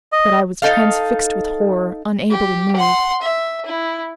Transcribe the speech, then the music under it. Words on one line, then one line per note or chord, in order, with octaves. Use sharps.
But I was transfixed with horror, unable to move.
D#5
D#4 A4 F5
G4
F#5 C6
E5
E4